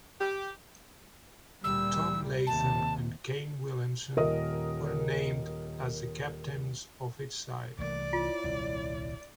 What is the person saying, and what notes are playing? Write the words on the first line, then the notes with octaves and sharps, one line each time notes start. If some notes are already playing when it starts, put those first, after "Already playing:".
Tom Latham and Kane Williamson were named as the captains of each side.
G4
D2 A#2 G3 E6
D#2 C3 A5
D#1 A#4 D#5 D#6
C2 E3 A3 A#3 D5
E4 F4 C#5
D#1 C2